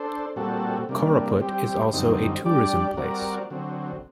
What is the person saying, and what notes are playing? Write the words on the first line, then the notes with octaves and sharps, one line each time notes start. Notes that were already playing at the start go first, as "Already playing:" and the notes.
Koraput is also a Tourism Place.
Already playing: D4 A4 C5
A#2 G3 C4 F#4 A4
C3 G3 A#3 D4
G3 C4 G4
F#2 D3 G3 C4 D#4
G3 D4 G4 D5
G3 C4 F#4 A#4 D5
D3 F#3 C4